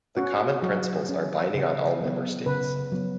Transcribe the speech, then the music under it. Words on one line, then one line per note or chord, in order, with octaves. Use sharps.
The common principles are binding on all Member States.
C#4 F#4
F#3 F#4
C#4
C#3
F#3 B3
C#3 B4
F#3 B3